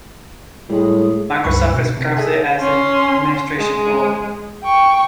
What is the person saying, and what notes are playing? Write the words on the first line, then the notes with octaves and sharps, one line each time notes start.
Microsoft describes it as an "administration tool".
A2 G3 G#3 G#4
C#2 G2 B5 C#6
B2
C3
G#4 A4 E5 G#5
C#4 C6
G#3
G5 C#6